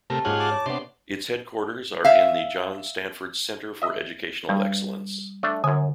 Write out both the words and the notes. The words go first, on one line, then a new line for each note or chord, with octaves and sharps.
Its headquarters are in the John Stanford Center for Educational Excellence.
C3 A3 G4 A#4 A5
G#2 A#3 C#4 F4 G#4 F#5
A5 D6
C#5
C3 B3 D4 C6
E5 F5
D#5 E5
G2 G3
A3 D4
F#2 D3 G#5